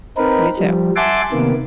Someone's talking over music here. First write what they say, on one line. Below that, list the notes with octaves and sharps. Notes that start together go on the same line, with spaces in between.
You too.
C4 D#4 A#4 B4
F3 G3
E5 F#5 G#5 A5 C6 D6
C3 D#3 A#3 B3